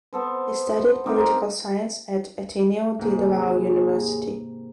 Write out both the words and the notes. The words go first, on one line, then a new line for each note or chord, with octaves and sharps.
He studied political science at Ateneo de Davao University.
B3 A4 C5
C4 D#4 G4 A#4
D#2 G#2 C3 A#3 G#4